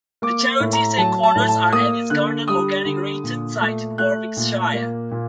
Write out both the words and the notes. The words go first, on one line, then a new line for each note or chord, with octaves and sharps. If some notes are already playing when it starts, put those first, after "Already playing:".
The charity's headquarters are at its Garden Organic Ryton site in Warwickshire.
A#3 D6
A2
A#5
F#3 A5
A5
A2
A5
A#3 D#6
D3 F#6
G3 D#6
D3
A#2
A3
A3 F#6
A#2
A#3
A#2